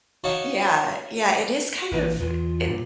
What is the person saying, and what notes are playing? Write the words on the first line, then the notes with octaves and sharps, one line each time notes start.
Yeah, yeah, it is kind of it
D#4 F#4 C#5 F5 A5
A#1 A#2 E3 B4
E2 F4
G2 A#2